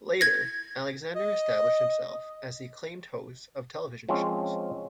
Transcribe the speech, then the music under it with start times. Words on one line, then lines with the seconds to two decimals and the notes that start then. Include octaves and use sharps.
Later, Alexander established himself as the acclaimed host of television shows.
0.21 G#6 A#6
1.16 D#5
4.09 F3 G#3 C4 C#4